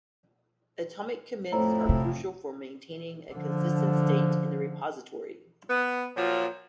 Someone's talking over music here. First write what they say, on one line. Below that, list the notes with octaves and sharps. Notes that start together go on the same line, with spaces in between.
Atomic commits are crucial for maintaining a consistent state in the repository.
F2 A2 A3 E4 C5 C#5 A#5
C3
D3 F3
B3
A#2 F3 F#3